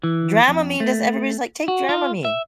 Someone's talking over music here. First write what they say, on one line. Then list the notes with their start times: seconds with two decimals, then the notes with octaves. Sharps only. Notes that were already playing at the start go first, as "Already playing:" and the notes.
Dramamine does everybody's like, "Take Dramamine."
0.04 E3
0.48 F2
0.80 A3
1.68 F#4
1.89 F4
2.25 E5